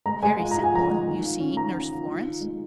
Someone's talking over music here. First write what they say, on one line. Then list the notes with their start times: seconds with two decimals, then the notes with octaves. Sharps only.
Very simple, you see, Nurse Florence!
0.06 G#3 A#5
0.23 G#3 G#5
0.39 F4
0.51 A#5
0.56 F4
0.64 G#5
0.73 F3 A#5
0.90 G#3
1.07 D#3
1.24 F4
1.40 C#4
1.57 D#3 A#5
1.74 C#4
1.91 F4
2.07 D#3
2.24 F4
2.41 G#3